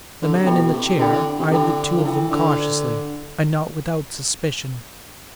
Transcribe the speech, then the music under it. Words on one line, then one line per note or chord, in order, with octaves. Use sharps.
The man in the chair eyed the two of them cautiously, and not without suspicion.
D3
C3
B2 E4 A4 E5 G5 B5
B2
C3
D3 E4 A4 E5 G5 B5
D3
C3
D3 E4 A4 E5 G5 B5
F3
E3 E4 A4 E5 G5 B5
D3
F4 B4 D5